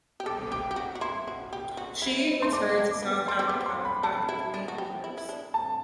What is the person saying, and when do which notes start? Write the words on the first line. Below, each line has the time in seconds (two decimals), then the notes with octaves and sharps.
She returned to South Africa after three years.
0.20 G4
0.26 A4 D6
0.52 G4 D6
0.71 G4
0.76 F#4
0.95 F#4
1.01 E4 C6
1.28 F#4
1.53 G4
1.77 F#4
2.02 E4
2.27 E4
2.42 C6
2.52 D4 D6
2.69 C4
2.78 D4
2.91 D6
3.02 B3
3.28 D4 C6
3.39 C4
3.47 B3 D6
3.61 C4
3.66 C6
3.85 B5
4.03 D4 A5
4.29 E4
4.54 D4
4.68 F#4
4.78 G4
5.04 E4
5.17 E4
5.29 D4
5.54 A5